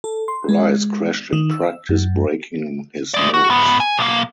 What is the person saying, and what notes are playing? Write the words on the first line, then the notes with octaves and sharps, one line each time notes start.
Rice crashed in practice breaking his nose.
A4
C6
G#3
D#3
E6
F#2
G#3 D5
F#4
G#2 B3
G#5
B1 A#3